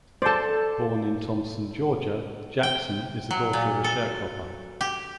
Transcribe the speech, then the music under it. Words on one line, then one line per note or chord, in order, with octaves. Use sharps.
Born in Thomson, Georgia, Jackson is the daughter of a sharecropper.
A4 C5 D5 A5
G5
F#3
A#2
A4
G4